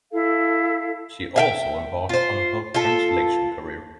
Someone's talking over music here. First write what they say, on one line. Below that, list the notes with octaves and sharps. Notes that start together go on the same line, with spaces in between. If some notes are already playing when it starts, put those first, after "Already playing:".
She also embarked on her translation career.
E4 A4 F5
E5 F5 G5
F4 C5
F4 A4